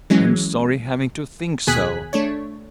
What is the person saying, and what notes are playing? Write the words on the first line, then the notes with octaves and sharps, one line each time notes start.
I'm sorry having to think so.
E3 F#3 G#3 C#4
D#2 B2 G#4 G#5 F#6 B6
A3 D4 C#5